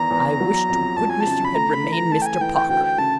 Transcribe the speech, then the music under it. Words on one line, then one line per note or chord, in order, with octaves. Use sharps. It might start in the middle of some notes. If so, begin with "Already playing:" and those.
I wish to goodness you had remained Mr. Parker!
Already playing: E2 D#3 A#5
E2
F#3
F2
F2 A5
G#5
A5
C#3
B5
A3 A#5
B5
E3
A#5
A3 A5
G5
G#5
E3 G5
G5
D2 G5
G5
C#3 A5